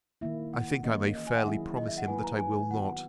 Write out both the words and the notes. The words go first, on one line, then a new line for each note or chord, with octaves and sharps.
I think I may fairly promise him that I will not.
D#3 A#3 E4 E5
F#5
E3 A#3 C#4 D#5
D#5
G#5
F#5
D#3 F#3 C#4 E4 G#4 E5
D#5
E5
F#5
F#3 A#3 E4 B4 G#5
A#5
G#5
D#3 F#3 B3 F#4 F#5